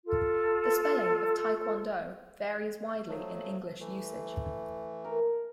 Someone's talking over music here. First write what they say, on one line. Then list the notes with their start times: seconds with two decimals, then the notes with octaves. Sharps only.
The spelling of "taekwondo" varies widely in English usage.
0.06 F4 A4
3.08 F3 F#3 A3
3.80 E3 A3
5.05 A#4